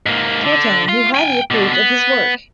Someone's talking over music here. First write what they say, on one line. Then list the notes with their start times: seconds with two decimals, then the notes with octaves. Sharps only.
Tortone, who highly approved of his work.
0.06 G#2 A#3
0.44 D3
0.88 F4 F5
1.15 G5 G#5
1.51 B2 D3
1.73 B3